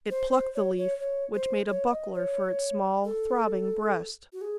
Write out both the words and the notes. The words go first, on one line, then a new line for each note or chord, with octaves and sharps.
It plucked the leaf, which made a buckler for its small throbbing breast.
C5
C5
C#5
C#5
C#5
C5
C#5
D#5
C#5
A4
F#4
G#4